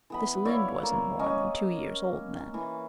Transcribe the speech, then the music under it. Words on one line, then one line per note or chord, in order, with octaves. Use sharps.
This Lynde wasn't more than two years old then.
E3 B3 B5
E4 C#5 D5 F5
A#3
C#4 D#5
E3